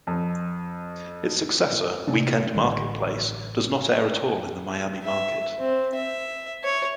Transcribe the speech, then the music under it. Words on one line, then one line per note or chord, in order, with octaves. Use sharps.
Its successor, "Weekend Marketplace", does not air at all in the Miami market.
F2
C3 A#3 C#4 D4
A1 D3 G3
E5
C4
E5
C#5